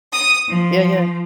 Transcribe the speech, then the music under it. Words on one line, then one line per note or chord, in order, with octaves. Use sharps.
Yeah, yeah.
D#6
F3